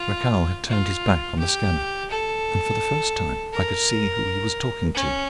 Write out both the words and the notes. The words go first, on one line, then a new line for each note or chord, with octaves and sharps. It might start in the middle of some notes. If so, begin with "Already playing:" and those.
Rakhal had turned his back on the scanner and for the first time I could see who he was talking to.
Already playing: F4
F4
G4
A4
A#4
C#4